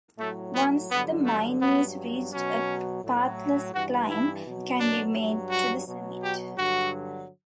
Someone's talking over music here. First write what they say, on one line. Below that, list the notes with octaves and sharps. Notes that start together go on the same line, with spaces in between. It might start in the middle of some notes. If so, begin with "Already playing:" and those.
Once the mine is reached a pathless climb can be made to the summit.
A2 F#3 A3
B3
G2 D3 F#3 B3
A3
G2 F#3 B3
B2 F#3 C#4
A2 F#3
G2 E3 F#4
E4
B2 F#3
D4
G2 F#3
F#4
B2 F#3
G4
G2 D3 F#3 F#4